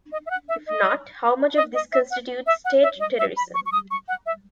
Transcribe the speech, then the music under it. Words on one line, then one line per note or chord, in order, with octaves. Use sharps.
If not, how much of this constitutes 'state terrorism'?
D#5
E5
F#5
E5
D#5
D#5
D#5
E5
F#5
E5
F#5
E5
D#5
E5
B5
C#6
C#6
D#6
C#6
F#5
E5